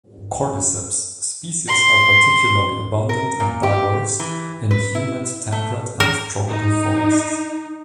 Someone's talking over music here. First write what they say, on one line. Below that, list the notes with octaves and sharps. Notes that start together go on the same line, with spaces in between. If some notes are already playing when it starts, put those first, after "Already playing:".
"Cordyceps" species are particularly abundant and diverse in humid temperate and tropical forests.
C6
A#4
A#2
G4
E3
B4
E4
A3
A#4
D#4